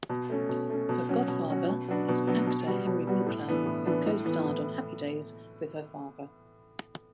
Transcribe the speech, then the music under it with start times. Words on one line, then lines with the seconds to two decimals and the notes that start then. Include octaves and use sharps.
Her godfather is actor Henry Winkler, who co-starred on "Happy Days" with her father.
0.09 B2
0.30 A3 C#4
0.49 B2
0.70 A3 C#4
0.89 B2
1.09 F#3 C#4 F#4
1.28 B2
1.49 F#3 C#4 F#4
1.69 B2
1.89 F#3 B3 D4 F#4
2.08 B2
2.27 F#3 B3 D4 F#4
2.47 B2
2.67 G3 B3 F#4
2.87 B2
3.07 G3 B3 F#4
3.26 A2
3.46 E3 B3 D4
3.66 A2
3.85 E3 B3 D4
4.06 A2
4.25 E3 B3
4.46 A2